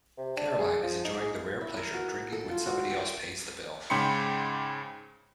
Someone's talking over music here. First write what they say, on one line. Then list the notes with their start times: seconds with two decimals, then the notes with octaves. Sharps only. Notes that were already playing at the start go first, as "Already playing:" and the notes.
Caroline is enjoying the rare pleasure of drinking when somebody else pays the bill.
0.18 C3
0.36 D4
0.59 G#4
0.83 F3
1.04 D#4
1.21 G#4
1.61 E4
1.77 A#4
1.94 F#4
2.32 A4
2.49 F4
2.66 F#4
2.90 G5
3.90 G#2 C#3 G5 B5 C6 C#7